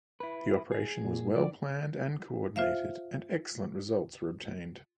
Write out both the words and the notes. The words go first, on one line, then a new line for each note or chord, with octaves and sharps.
The operation was well-planned and coordinated, and excellent results were obtained.
E4 B4
G#4
A#2
F3 D5
F4 C5 E5 F5